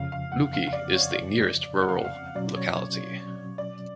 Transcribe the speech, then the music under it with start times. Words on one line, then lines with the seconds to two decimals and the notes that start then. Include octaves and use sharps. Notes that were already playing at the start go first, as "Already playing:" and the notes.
Luki is the nearest rural locality.
Already playing: F2 C#3 F3 F5
0.12 F5
0.32 F#5
0.53 F5
0.67 F5
0.73 D5
0.93 C#5
1.14 D5
1.81 F#5
1.89 F5
1.96 F#5
2.05 F5
2.35 B2 F#3 C#4 D5
2.56 C#5
2.76 C#5
3.58 D5